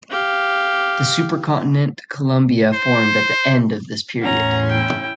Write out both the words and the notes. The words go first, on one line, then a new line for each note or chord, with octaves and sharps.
The supercontinent Columbia formed at the end of this period.
G4 F5
C5
E2 A2 C#4 F#5 A#5 C6
E4 G5